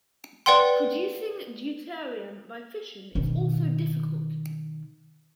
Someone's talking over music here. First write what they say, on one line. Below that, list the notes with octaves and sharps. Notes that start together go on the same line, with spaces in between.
Producing deuterium by fission is also difficult.
B4 D5 F#5 G5 C6
B2 D#3